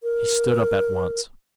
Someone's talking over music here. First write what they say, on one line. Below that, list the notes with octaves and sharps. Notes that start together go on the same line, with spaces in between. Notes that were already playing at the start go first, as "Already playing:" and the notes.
He stood up at once.
A#4